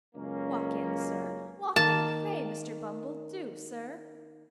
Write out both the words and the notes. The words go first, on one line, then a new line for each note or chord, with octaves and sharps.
Walk in sir; walk in, pray, Mr. Bumble, do, sir.'
C#2 F#2 A#3 C#4
D#3 A#3 A5